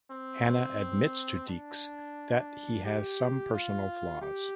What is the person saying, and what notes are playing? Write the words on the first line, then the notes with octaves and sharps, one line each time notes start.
Hanna admits to Deeks that he has some personal flaws.
C4
D4
G4
F4
G4